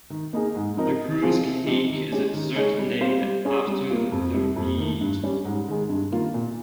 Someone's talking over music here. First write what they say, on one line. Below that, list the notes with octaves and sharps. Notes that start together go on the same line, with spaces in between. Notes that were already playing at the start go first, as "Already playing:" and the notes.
The Creuse Cake is a dessert named after the region.
D#3
A#3 D#4 G#4
G#2
F3 C4 D#4 A#4
C3
F3 C4 F4 G#4
C3
F3 C4 D#4 G4
D#3
G#3 C#4 G4
D#3
G#3 D#4 G#4 C#5
G3
C4 G4 C5 F5
G3
C#4 G#4 C#5
G3
A#3 F4
F2
C3 G3
F2
D#3 A#3
G2
G3 C#4
G#2
D#3 G#3
G2
D#3 A#3 F4
A#2